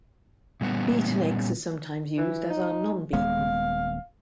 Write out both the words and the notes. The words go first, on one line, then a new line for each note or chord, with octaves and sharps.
Beaten eggs are sometimes used, as are non-beaten.
A#2 G3 B3 C#4
E3
D#4
D#1 G#3 B3 F5